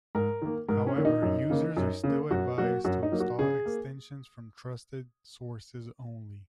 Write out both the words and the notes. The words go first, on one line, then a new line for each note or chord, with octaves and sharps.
However, users are still advised to install extensions from trusted sources only.
G#2 A#4
D#3 A#3
G#2 A#4
C#4
D#3 A#3
D#4
F#2
C#3 A#3
F#2
C#3 A#3
F#2 F#4
F#3 A#3 F#4
F#2 F#4
D#4
F#3 A#3
F#4
C#3 G#4
A#3